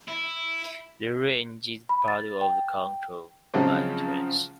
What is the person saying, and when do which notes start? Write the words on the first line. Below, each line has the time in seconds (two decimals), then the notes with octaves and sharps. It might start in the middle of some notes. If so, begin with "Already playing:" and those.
The range is part of the Concord Mountains.
0.08 E4
1.89 B5
2.08 A6
2.41 G5
3.54 C#3 F3 F#3 G#3 C4